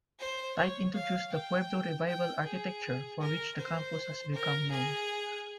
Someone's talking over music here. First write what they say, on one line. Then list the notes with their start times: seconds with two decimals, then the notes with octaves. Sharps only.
Tight introduced the Pueblo Revival architecture for which the campus has become known.
0.19 C5
0.57 C#5
0.94 F5
1.32 G5
2.07 G5
2.45 G#4
3.20 A#4
3.58 C5
4.33 A#4
4.71 G#4